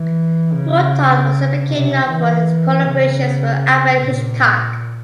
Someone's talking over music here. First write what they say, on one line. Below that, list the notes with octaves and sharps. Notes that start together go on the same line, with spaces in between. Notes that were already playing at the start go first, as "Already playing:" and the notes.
Fulton also became known for his collaborations with Alfred Hitchcock.
Already playing: E3
C#3
C3
E3
C#3
A#2